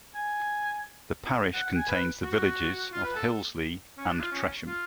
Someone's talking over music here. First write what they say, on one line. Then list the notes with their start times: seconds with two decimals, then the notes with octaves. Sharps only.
The parish contains the villages of Hillesley and Tresham.
0.15 G#5
1.53 F#5
1.65 F#5
1.76 G#5
1.88 B4
2.23 F#4
2.92 F4
3.03 B4
3.16 A4
3.97 C#4
4.09 D4
4.20 F4
4.31 C#4
4.66 F4